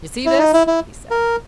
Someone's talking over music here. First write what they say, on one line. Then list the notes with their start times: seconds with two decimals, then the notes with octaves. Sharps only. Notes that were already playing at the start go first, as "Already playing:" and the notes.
"You see this?" he said.
0.26 E4
0.39 D#4
0.53 E4
0.67 E4
1.11 A#4